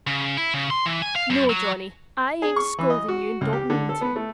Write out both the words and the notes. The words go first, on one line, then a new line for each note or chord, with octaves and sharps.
No, Johnny, I ain't scolding you, and don't mean to.
C#3
E4
C#3
C6
E3
G#5
F5
F#2
F#3
G#4
C#6
E3
D#5
F#4
C#2
G4
D3
A4
B3
A3